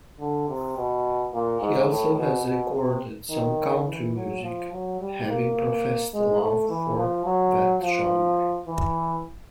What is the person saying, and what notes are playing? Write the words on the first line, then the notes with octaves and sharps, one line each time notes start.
He also has recorded some country music, having professed a love for that genre.
D3
C3
B2
A#2
G#2
A2
B2
B2
C3
D#3
E3
F#3
F3
F#3
G3
A#3
G#3
A3
E3
F3
F#3
F3
E3